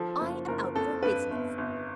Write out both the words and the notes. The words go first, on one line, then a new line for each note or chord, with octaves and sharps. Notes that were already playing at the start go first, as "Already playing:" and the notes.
I am out for business.
Already playing: F3 A4
F#1
F#1 A#4
F2 A4
G2 B4
G1
G1